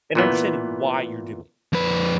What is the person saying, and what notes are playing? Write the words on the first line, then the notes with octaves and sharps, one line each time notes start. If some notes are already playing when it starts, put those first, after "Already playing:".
and understanding why you're doing it.
A#2 E3 B3
F2 B4